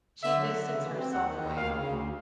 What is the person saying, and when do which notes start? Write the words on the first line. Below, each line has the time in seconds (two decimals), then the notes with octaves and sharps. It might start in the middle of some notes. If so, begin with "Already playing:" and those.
she distanced herself away.
0.23 D3 E5
0.39 F#3
0.53 D3
0.68 C#3 E5
0.82 E3
0.98 C4
1.12 D#2 F#5
1.27 D#3
1.41 D#2
1.56 D2 F5
1.71 C#3
1.86 D2